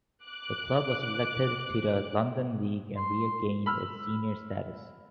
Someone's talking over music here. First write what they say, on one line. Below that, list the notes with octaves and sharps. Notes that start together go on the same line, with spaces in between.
The club was elected to the London League and regained its senior status.
D6 F#6
C6
B5 E6 F6